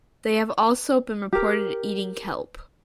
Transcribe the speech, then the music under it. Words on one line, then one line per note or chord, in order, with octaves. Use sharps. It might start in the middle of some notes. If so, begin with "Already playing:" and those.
They have also been reported eating kelp.
G4 A#4